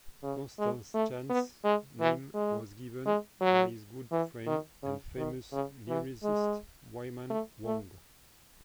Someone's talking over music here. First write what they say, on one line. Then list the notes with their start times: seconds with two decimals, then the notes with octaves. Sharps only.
Constance Chan's name was given by his good friend and famous lyricist Wyman Wong.
0.23 C#3
0.59 G#3
0.94 A3
1.29 B3
1.64 G#3
2.00 E3
2.34 G#3
3.06 G#3
3.41 F#3
4.11 E3
4.46 D#3
4.83 C#3
5.17 D#3
5.52 C#3
5.88 E3
6.23 G#3
7.30 A3
7.65 A3